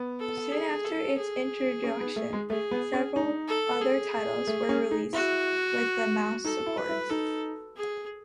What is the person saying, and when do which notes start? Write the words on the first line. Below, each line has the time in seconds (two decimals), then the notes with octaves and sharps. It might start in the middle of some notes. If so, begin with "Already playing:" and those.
Soon after its introduction, several other titles were released with the Mouse support.
Already playing: B3
0.19 A4
0.52 G#4
0.85 A4
1.18 G#4
1.84 C#4
2.01 B3
2.16 A3
2.33 G#3
2.50 A3 G#4
2.71 B3
2.93 C#4
3.16 D#4
3.48 A4
3.81 G#4
4.47 A3
4.69 C#4
4.91 D#4
5.13 E4 F#4
6.44 D#4 A4
6.66 E4
6.77 B4
6.89 E4
7.10 D#4 A4
7.77 G#4